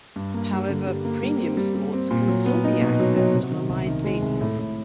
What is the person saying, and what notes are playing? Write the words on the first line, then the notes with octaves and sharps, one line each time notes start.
However, premium sports can still be accessed on a live basis.
G2
A#3
G3
D3
G3
A#3
G3
C4
G3
G3
C4
A#2
F#3
B3
D#4
B2
F#3
F#3
C3
D#3
C2
D#3
G#3
C2
A2
A2